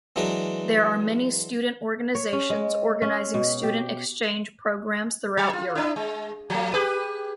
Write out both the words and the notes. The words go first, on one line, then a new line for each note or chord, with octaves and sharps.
There are many student organisations organizing student exchange programmes throughout Europe.
E3 F#3 G#3 D4 A#4 B4
C#5
C#4
G#3
C#4
B2
G4
F#3
F4
D4 E4
G#3
F3 A3
G4 G#4 B4